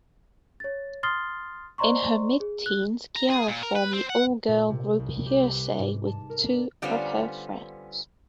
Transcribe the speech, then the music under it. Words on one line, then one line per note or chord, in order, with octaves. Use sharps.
In her mid-teens, Ciara formed the all-girl group Hearsay with two of her friends.
C#5 A6
C6 D#6 F6 A6 C7 G7
C5 D5 D#5 A#5 C6 C#6
G#4
F#6
A#5
G#4
A#2
A#4
B4
C4
F#5
A#2
C3
C2
G4
B4
G#2
A5
A#4
D4
D3 G3 B3 C#4 F4 C5